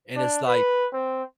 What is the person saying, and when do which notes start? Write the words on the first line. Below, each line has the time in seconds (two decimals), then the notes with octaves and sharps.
And it's like,
0.16 D4
0.47 B4
0.93 C4